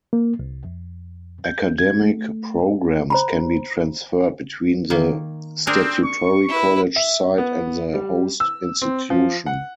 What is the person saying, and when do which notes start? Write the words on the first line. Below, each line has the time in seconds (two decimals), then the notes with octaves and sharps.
Academic programs can be transferred between the statutory college side and the host institution.
0.13 A#3
0.39 C2
0.65 F2
1.45 G6
1.78 G#6
2.02 A3
3.10 C5 A#5 B5
4.90 D#3 A#3
5.67 C4 D4 G#4 A#4
6.04 C#6
6.48 E4 B4
6.96 E5
7.38 B3
7.93 G3
8.40 E6
8.82 C4
9.10 F3
9.46 F#5